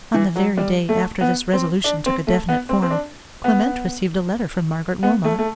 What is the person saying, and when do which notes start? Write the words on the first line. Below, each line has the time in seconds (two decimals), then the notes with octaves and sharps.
On the very day after this resolution took a definite form, Clement received a letter from Margaret Wilmot.
0.14 E3
0.36 F#3
0.57 G3
0.89 A3
1.21 B3
1.53 C4
1.84 D4
2.06 C4
2.27 A3
2.49 B3
2.69 C4
2.82 C4
2.91 D4
3.44 B3
5.03 B3
5.24 A3
5.39 A3